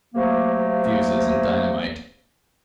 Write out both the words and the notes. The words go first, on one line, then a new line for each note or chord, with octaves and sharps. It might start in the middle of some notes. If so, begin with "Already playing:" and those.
Fuses and dynamite.
D2 C3 F#3 A3 A#3